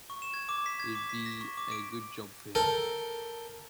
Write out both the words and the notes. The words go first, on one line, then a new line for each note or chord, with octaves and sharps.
It'll be a good job for him.
C#6
E7
G#6
D6
B6
G#6
D6
B6
A#6
C#6
D6
D7
A4 A#4 G5